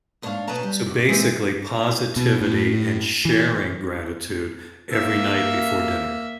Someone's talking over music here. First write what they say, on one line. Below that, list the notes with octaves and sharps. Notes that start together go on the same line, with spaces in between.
s so basically, positivity, and sharing gratitude every night before dinner.
G#2 B3 D4 C5 C#5 F5
B2 C#4 B4 G5 A5 A#5
G3
C3 F#4
A#2 E3 G#3 B3 C4
B2
A2
E3
A#3 E5